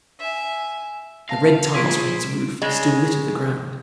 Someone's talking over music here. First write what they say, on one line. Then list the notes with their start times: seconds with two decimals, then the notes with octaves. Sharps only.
The red tiles from its roof still litter the ground.
0.19 E5 G#5
1.29 F5 A5 A#6
1.74 F3 G#4 B4 C6 C#6 G#6 B6 D7
2.62 C#3 G#3